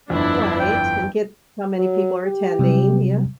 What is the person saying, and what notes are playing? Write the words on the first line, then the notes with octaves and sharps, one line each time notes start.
Right, and get how many people are attending yeah.
G1 F2 D4 E4
G5
F#3
G4
C3 F#3 G3